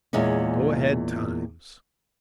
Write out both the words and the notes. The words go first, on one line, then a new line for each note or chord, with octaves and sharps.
Go-ahead Times!
E2 A#2 G#3 A#3 C#4